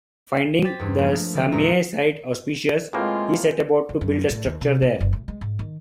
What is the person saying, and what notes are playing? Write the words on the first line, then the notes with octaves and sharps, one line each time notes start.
Finding the Samye site auspicious, he set about to build a structure there.
C5 G5 D6 G#6 A6 B6
E2 G2
F3 G#3 A#3
A3
B1 D3 C#4 D5
E2 A#2 G#3 F#4 E5 A#5
A2 G#3 A#3 C4 F4 G#4 B4 G5
C#2
F#2
A2
D#2
C3
D#4
F#1
A2
G#3
G#2
D#3